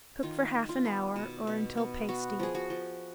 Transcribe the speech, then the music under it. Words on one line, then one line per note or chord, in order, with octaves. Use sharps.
Cook for half an hour or until pasty.
D#3 F4
D#3
F4
B3
B2
B2
B3
B3 F#4
F3 G#4
F#4
F3